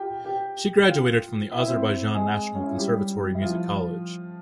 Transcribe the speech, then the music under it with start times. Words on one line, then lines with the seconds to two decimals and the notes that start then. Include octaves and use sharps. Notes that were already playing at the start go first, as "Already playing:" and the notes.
She graduated from Azerbaijan National Conservatory Music College.
Already playing: F4 G4 G5
0.25 G4 G5
0.88 F4 F5
1.51 E4 E5
1.68 C4 C5
2.15 G#3 G#4
2.55 C#4
2.63 E4
2.70 F4
2.78 G3 G4
3.35 E4
3.42 F3 F4